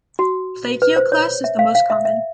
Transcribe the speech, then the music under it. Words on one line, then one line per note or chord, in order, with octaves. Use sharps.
Plagioclase is the most common.
F#4
B4
C5
C#5
E5
F5
F5
E5
E5